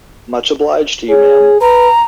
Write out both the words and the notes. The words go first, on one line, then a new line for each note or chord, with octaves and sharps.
Much obliged to you, ma'am!
G#4 C#5
B4 A#5